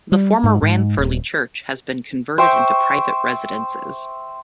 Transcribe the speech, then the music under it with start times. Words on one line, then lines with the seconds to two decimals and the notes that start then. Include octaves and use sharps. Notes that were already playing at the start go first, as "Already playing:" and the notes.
The former Ranfurly Church has been converted into private residences.
0.12 G3
0.44 G#2
0.63 G#2
0.98 D#1
2.38 C5 E5 G5 C#6